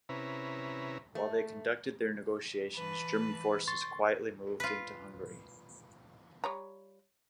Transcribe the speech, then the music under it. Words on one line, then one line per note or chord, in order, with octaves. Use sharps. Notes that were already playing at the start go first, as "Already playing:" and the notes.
While they conducted their negotiations, German forces quietly moved into Hungary.
C3 C#4 E4 B4 A#5
A3
E3 B4 A5
C6 C#6 A6
F4 B4
G3 C#5 A#5